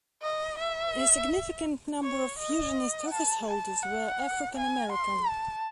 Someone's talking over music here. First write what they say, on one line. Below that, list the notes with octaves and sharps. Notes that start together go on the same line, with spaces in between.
A significant number of fusionist officeholders were African American.
D#5
E5
C#5
D#5
A5
A5
F#5
G#5
C6
A5